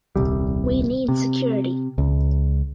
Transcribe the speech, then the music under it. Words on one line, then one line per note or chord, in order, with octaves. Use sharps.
We need security.
D#1 C2 G3
C3
C#2